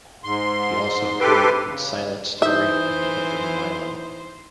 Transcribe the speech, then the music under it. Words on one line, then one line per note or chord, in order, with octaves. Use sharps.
He also appeared in "Silent Story" and "Delivering Milo".
G#2 C6
C3 G4 A4 B4 C6 D6
C#3
E3 D#4 C5 E5 D#6 G6